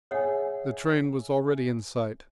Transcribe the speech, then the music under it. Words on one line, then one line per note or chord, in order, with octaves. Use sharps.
The train was already in sight.
G#4 C#5 E5 F#5 G#5